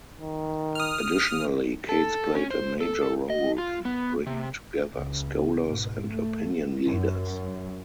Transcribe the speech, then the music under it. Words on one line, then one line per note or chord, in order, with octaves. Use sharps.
Additionally, Kates played a major role in bringing together scholars and opinion leaders.
D#3
D#6 F6
A4
C#4
C5
A4
D#5
F4
B3
C3
C#2 C#3
G#2 B2
A3
F#2